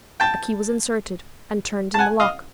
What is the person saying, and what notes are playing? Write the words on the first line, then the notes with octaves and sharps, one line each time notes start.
A key was inserted and turned in the lock.
G5 A5
A5
F#5 G#5
D#5 F5